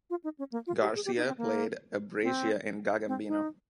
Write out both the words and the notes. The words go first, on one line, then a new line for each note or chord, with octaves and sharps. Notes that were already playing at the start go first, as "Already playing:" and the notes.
Garcia played Abresia in "Gagambino".
F4
D#4
C#4
A#3
F4
G4
G#4
G4
D#4
C4
A#3
C4
C4
D#4